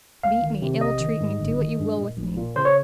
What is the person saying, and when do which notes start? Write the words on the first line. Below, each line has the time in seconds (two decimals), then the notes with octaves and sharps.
Beat me, ill-treat me, do what you will with me....
0.23 C#2 F5
0.42 D#3
0.62 C3
0.81 A#1 D#5
1.00 D#3
1.20 G#2
1.40 G1
1.59 D#3
1.79 G2
1.97 A#2
2.17 A#1
2.37 A#2
2.56 C#3 C5
2.65 C#5